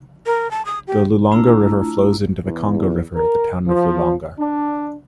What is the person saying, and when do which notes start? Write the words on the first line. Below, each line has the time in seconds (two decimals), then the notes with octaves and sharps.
The Lulonga river flows into the Congo River at the town Lulonga.
0.26 A#4
0.51 A5
0.65 D#6
0.87 G4
1.31 A3 D4 E4 F4 A#5 E6
2.45 E2
3.16 A#4
3.68 F3
4.39 D4